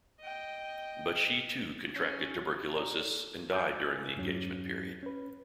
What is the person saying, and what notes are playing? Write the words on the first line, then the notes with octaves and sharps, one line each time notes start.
But she, too, contracted tuberculosis, and died during the engagement period.
D#5 G5
C#4
G4 C#5 D5 A#5
A4
G#5 D6 E6 F#6 G6
E2 G2 F#3 C#4
C#4 B4